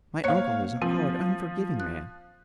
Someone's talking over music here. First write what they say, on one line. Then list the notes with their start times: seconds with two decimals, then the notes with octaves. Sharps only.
My uncle is a hard, unforgiving man.
0.24 A#3 C5 C#5 F5 F#6
0.82 F3 C4
1.80 F#6